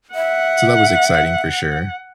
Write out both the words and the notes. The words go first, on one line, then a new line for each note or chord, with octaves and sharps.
So that was exciting, for sure.
E5 F#5